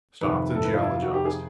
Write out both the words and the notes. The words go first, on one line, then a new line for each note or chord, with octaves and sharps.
Stopped and geologised.
F2 C3 D#3 B4
A4
B4
F4
E4
F4
F#4
G4
G#4